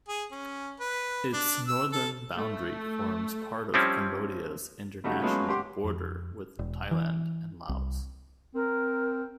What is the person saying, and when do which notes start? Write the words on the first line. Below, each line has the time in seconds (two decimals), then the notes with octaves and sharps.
Its northern boundary forms part of Cambodia's international border with Thailand and Laos.
0.08 G#4
0.32 C#4
0.80 B4
1.33 D4
1.68 E6
1.93 A4
2.37 A3
3.74 F3 G3 C4 C#4 E4
5.04 C#3 G3 A3 D#4 F#4
5.20 F#3 G#3 A3 B3 C#4 F4
5.48 G4 F#5 C6 D6
5.84 F2
6.59 E1
6.91 E3
7.69 C2
8.55 C4 A#4